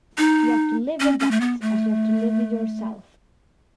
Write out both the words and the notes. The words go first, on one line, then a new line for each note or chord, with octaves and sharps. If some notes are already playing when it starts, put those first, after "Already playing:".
You have to live with that, as you have to live with yourself.
D#4
C#4
C#4
A3
B3
A3